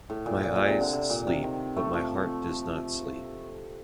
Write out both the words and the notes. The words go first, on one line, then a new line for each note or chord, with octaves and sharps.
My eyes sleep but my heart does not sleep.
A2
A#2
A#2
A#2
C3
D3
C3
A#2
C3
D#3
A3
F3